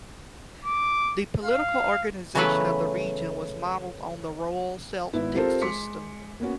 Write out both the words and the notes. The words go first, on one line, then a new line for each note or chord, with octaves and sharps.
The political organization of the region was modeled on the royal Celtic system.
D6
F5
C#3 E3 F#3 A3 B3 B4
G#1 B3 E4 B4
C4 F4 G4 A4 A#4 C5
G#3 C6 D6 B6 C#7
A#3 B3 C#4 F#4